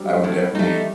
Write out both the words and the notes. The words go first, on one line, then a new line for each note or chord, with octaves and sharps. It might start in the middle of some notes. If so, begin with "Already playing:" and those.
I would, definitely,
Already playing: F#3 G3 C4 D4
A3
A2 A3
G3 A3 D#4